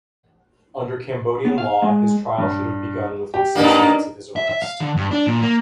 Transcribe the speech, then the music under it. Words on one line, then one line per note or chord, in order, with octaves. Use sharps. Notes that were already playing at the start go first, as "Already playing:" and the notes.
Under Cambodian law his trial should have begun within six months of his arrest.
B3
F5
G#3
G2
G4
F#2 A#3 D4 D#4 A#4
E5
E5
F5
D3
G2
D4
A#2
A#3